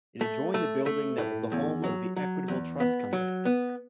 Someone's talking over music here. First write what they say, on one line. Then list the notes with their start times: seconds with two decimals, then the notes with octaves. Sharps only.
It adjoined the building that was the home of Equitable Trust Company.
0.21 A3
0.54 A3
0.86 A3
1.18 A2
1.52 E2
1.84 F#3
2.16 F#3
2.48 E2
2.80 B3
3.13 F#3
3.45 B3